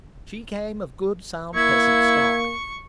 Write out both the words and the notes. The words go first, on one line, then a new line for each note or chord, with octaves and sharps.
She came of good sound peasant stock.
A#3 E4 C#6 G#6